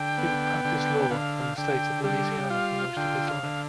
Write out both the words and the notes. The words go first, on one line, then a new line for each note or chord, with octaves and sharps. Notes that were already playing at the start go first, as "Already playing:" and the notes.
He would practice law in the State of Louisiana for most of his life.
Already playing: D3 G5
B3
D3
D3 F5
D3 G5
G3 G5
F4 F5
D3 G5
F5
D3